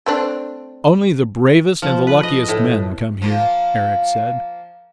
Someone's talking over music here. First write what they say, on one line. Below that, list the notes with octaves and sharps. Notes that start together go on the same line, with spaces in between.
"Only the bravest and the luckiest men come here," Eric said.
A3 C4 D4
F3
B4
D#5
A2
F3 A#3 F4